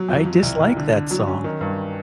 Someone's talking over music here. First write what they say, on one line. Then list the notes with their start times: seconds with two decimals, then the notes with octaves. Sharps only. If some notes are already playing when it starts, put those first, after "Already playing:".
I dislike that song.
Already playing: F#3
0.09 F2
0.25 F3
0.43 C2
0.60 C2
0.77 D3
0.93 D3
1.11 F#3
1.27 C#4
1.44 D#3
1.61 G2